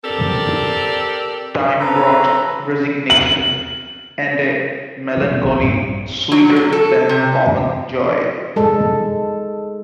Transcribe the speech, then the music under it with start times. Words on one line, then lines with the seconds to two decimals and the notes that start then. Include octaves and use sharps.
Time brought resignation, and a melancholy sweeter than common joy.
0.04 C4 G4 A4 A#4 D5
1.80 C4 A4 B4 A#5
3.10 F#7
5.17 E3 G3
5.30 B2
5.42 D#1 A#1 D#2
5.62 G2 A#2
6.32 F#3
6.56 F#3
6.73 A4
7.09 C3
8.56 G#3 A4